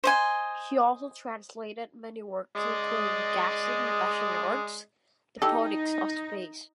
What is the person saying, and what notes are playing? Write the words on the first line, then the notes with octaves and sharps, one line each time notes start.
She also translated many works, including Gaston Bachelard's "The Poetics of Space".
C5 D#5 G#5
G#3 D5 D#5
D#4 E4 G4 A4